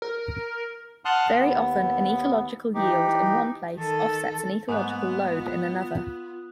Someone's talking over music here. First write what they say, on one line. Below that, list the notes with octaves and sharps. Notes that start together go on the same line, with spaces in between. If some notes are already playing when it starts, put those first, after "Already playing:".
Very often an ecological yield in one place offsets an ecological load in another.
A#4
F#5 A5 C6 D#6 F6 F#6
D#2 B3
E3 D#4 G4
D#3 A4
G#2 A#3 B3 D#6 F#6
F4